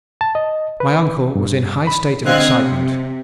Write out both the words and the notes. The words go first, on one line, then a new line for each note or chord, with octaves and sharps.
My uncle was in high state of excitement.
A5
D#5
B4
G2
B5
D3 C4 D#5 F5 F#6 G#6
C3